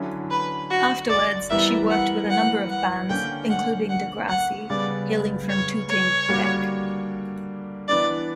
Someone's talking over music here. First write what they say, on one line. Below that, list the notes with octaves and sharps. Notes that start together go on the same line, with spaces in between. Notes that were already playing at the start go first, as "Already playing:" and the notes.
Afterwards, she worked with a number of bands, including Degrassi, hailing from Tooting Bec.
Already playing: D3 F#3 C#4 E4
B4
F#4
D5
E3 G3 B3 E4 A#4 E5
F#5
F#5
F#5
D3 A#3 C#4 G5
F#5
F#5
F#5
C#3 G3 B3 D5
C#5
C#5
D3 G3 A#3 D4 F#4
E3 B3 D4 D5